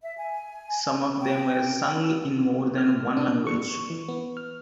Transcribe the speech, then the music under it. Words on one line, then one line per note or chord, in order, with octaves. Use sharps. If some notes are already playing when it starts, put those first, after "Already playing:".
Some of them were sung in more than one language.
E5
G#5
G5
F6
D4
C#6
E3
B3
F6